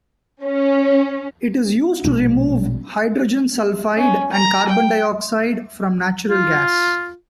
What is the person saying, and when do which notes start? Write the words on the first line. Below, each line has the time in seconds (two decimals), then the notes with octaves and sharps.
It is used to remove hydrogen sulfide and carbon dioxide from natural gas.
0.44 C#4
2.05 A#1 B2 G#3 D4
3.97 C#4
4.32 A#5
4.68 G5
6.30 F4